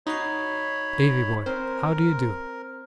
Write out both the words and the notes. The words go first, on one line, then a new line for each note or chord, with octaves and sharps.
Davy boy, how do you do?'
D#4 F#4 C#5 B5 C7
C4 A#4 C5